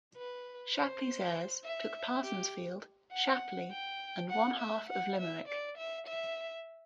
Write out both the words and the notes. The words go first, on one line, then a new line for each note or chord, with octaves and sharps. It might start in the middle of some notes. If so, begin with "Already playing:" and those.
Shapleigh's heirs took Parsonsfield, Shapleigh and one half of Limerick.
B4
C5
E5
G4
F#5
G5
F#5
E5
F#5
E5
D5
E5
E5